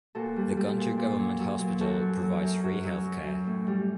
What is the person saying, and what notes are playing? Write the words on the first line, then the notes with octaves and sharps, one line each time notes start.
The Guntur Government Hospital provides free healthcare.
A#2 F#4 A4
G3
G3
A#2
A#2
F#3
F#3
A#2
F#2 F#4 A4
F#3
F#3
F#2
F#2 F#4
F#3
F#3
F#2
A2
G3